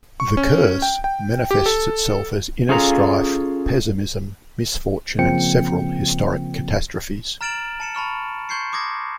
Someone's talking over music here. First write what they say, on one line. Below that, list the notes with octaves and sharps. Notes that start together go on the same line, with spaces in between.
The "curse" manifests itself as inner strife, pessimism, misfortune and several historic catastrophes.
C#6
C#4
G5
G5
G4
A4
C#4 F4 G#4 A4 F5 A#5
C#3 F3 A#3 C4 G5 C#7
A#5 F6 A6 D7 E7 F#7
A5 C#7 E7
A5 B5 C#6 F6
C6 C#6 G6 G#6 C7 C#7
C6 D6 D#6 G#6 A#6